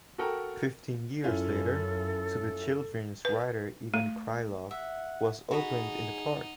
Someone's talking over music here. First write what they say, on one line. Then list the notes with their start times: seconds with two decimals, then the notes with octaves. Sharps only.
Fifteen years later, to the children's writer Ivan Krylov was opened in the park.
0.18 F#4 A4 A#4 G5 A#5 C#6
1.24 F#2 C#4 E4 F4 A4
3.25 B4
3.94 A3
4.71 E5 F#5
5.51 D#4 F#4 G#4 B5